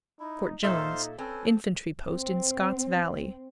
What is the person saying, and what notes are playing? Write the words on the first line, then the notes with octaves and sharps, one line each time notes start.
Fort Jones.--Infantry post, in Scott's Valley.
D#4 E4
A#2 D#4 A4 C5 E5 F5 C6
C4 C#4 A4 B4 G#5
C4